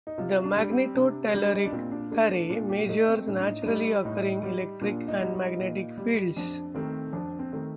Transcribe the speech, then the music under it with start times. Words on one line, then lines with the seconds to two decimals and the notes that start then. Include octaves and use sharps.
The Magnetotelluric Array measures naturally occurring electric and magnetic fields.
0.07 D#4
0.18 C3 F4
0.44 D4
0.57 G3
0.70 C4
0.95 C3 D4
1.34 G3 D4
1.53 D#4
1.65 D4
1.72 A#2 C4
1.91 D4
2.11 A3 D4
2.31 D4
2.50 A#2 D4
2.69 G4
2.89 A3 D#4
3.08 C4
3.27 A2 D4
3.38 D4
3.47 D#4
3.62 D4
3.65 G3 D#4
4.05 A2 D#4
4.43 G3
4.81 A#2 D4
5.08 D#4
5.20 G3
5.34 D#4
5.59 A#2
5.97 G3
6.36 F2 D4
6.75 D#3 A3 C4
7.13 F2 D4
7.39 C4
7.53 D#3 A3